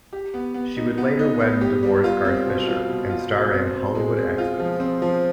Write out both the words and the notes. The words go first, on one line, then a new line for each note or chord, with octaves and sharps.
She would later wed and divorce Garth Fisher, and star in "Hollywood Exes".
G4
B3
B3
D#4
B3
D#4
B3
G4
G3
F4
C4
B2
F4
B2
F4
B2
C4
C4
G#3
C4
F4
F3
C4
F3